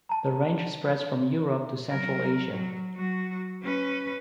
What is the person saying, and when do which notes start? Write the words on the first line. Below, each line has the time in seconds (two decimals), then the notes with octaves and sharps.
The range spreads from Europe to Central Asia.
0.09 A5 A#5
1.89 F#3 A#4
2.50 F#3
2.94 F#3 F#4
3.62 C#4 B4